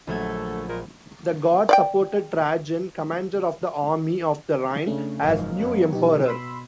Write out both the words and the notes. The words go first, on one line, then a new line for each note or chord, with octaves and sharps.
The Guard supported Trajan, commander of the Army of the Rhine, as new emperor.
A#1 D3 F#3 A3 G#6
A#2 G#3 A#4
D5 F5 G5
C#3 A3 C#4 D4
F#1 G#2 F3 A#4 D#5 F5
F#2 F#3 B3
B2 D#4 G4
B5 C6 E6